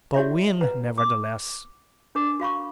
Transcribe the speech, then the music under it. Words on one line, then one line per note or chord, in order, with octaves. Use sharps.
"Go in, nevertheless."
E4 F#4 G4 C#5 D5 E5
B4 F#5 A#5
D6
D4 A#4 D6
F#4 F5 B5 C#6